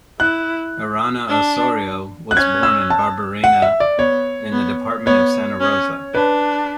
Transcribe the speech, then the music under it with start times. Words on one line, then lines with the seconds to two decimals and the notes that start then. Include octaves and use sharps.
Arana Osorio was born in Barberena, in the department of Santa Rosa.
0.20 E4 F#6
1.29 D4
2.31 F#6
2.36 C#4 G#6
2.63 E6
2.90 A5
3.44 F#5
3.62 E5
3.80 D5
3.98 B3 C#5
4.52 B3
5.06 B3 C#5
5.61 C#4
6.14 D4 B4